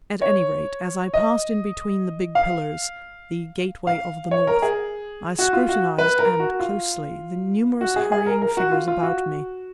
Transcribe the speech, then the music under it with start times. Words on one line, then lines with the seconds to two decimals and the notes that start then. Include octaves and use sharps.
At any rate, as I passed in between the big pillars, "The gateway of the North," I scrutinized, and closely, the numerous hurrying figures about me.
0.22 C#5
1.14 D#5
2.35 F5
3.87 F5
4.31 C#5
4.47 A#4
4.62 G#4
5.39 F#4
5.53 F4
5.69 F#4
5.98 B4
6.19 A#4
6.40 F#4
6.60 F4
7.81 F#4
7.96 G#4
8.12 G#4
8.26 A#4
8.42 A#4
8.57 F#4
8.72 F4
8.88 F4
9.03 F#4